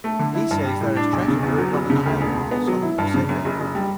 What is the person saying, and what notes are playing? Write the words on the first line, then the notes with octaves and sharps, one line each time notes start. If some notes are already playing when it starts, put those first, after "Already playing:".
"He says there is treasure buried on an island in the Southern Pacific."
A3
D3
E4
G2
G3
A2
D4
B1
C#3
E2
F#3
F#1
C#3
D2
E1
E1
B3
F#3
E4
G2
C#3
F#2
F#1
F#1
G3